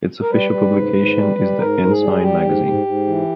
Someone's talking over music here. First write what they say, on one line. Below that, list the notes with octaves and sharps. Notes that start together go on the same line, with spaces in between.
Its official publication is "The Ensign" magazine.
A#4
G3 B4
G3
G#2
G#2
G3
G3
G#2 A#4
G#2
G#4
G3
G3 G4
G#2
G#2
G#2
E3